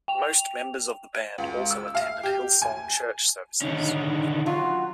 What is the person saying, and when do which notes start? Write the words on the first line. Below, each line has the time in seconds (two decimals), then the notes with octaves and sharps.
Most members of the band also attended Hillsong Church services.
0.08 G5 F7
1.38 C#2
1.71 E6
1.95 F5
2.23 G4
2.62 G#5
3.62 D3 D#3 C#4 D#4
4.46 F#3 F4 F#5